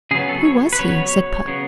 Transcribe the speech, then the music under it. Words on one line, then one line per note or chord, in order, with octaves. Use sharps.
'Who was he?' said Puck.
C#3 F#3 B3 G#4
A4
C#5
B4
C#3 F#3 B3 C#5
C#3 F#3 B3